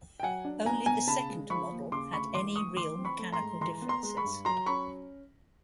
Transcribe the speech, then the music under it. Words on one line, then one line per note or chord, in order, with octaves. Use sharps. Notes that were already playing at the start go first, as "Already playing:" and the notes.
Only the second model had any real mechanical differences.
G5
F#3 F#5 G#5
D4
B3 G#5 A#5
B2 G#5 A#5
C#3 A5 B5
G#3
F3 B5 C#6
D#2
C#3 C6 D6
D2 B5 C#6
E3 C6 D6
D2 C#6 D#6
E3 C6 D6
C4
B5 C#6
A3
A#5 C6
G#2
E3 A#5 C6
B3
A#5 C6
G#3
B5 C#6
G2
F#3 A#5 C6
C#4 B5 C#6